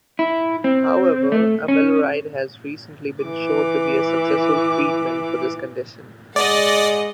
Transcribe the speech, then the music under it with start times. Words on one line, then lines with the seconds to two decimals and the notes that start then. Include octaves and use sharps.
However, amiloride has recently been shown to be a successful treatment for this condition.
0.19 E4
0.64 C4
1.32 A3
1.68 C#4
3.23 E3 D6
6.36 G#3 D5 D#5 F#5